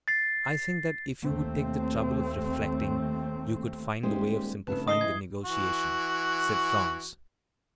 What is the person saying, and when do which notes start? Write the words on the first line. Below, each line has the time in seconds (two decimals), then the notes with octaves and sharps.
"I think that if you would take the trouble of reflecting, you could find a way of simplifying the negotiation," said Franz.
0.08 A6 C7
1.24 D#2 A3 C4
4.03 D#1 G#3 G4 C5
4.68 F1 C#3 A3 B4 A5
4.88 D#3 D#5 D#6 C7 G7
5.01 E3 G#6
5.45 E3 F#4